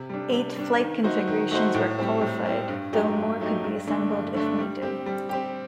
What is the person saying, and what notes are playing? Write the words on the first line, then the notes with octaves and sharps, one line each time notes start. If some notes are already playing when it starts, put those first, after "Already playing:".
Eight flight configurations were qualified, though more could be assembled if needed.
Already playing: C3
G3 D4
C3
G3 D4
D#3
A3 D#4 F#4 C5
D#3
A3 D#4 F#4 C5
A2
G3 C4
A2
G3 C4
G2
F#3 A3 D#4 G4
G2
F#3 A3 D#4 G4
G2
D3 A3 D4
G2
D3 A3 D4
G3
C4 G4
G3
C4 G4